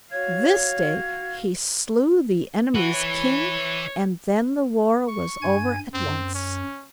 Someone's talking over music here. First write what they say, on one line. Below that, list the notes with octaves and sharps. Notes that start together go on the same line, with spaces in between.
This day he slew the enemy's king, and then the war was over at once.
F#4 C#5 F5 G#6
E4 F#4 B4
C#5
C#6
G2 G#5 G#6
F#2 C4
C#4